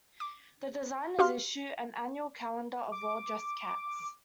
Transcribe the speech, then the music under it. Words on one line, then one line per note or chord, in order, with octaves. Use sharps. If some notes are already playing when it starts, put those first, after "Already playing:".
The designers issue an annual calendar of well dressed cats.
D6
F#4 G4 F5 C6 F6
D6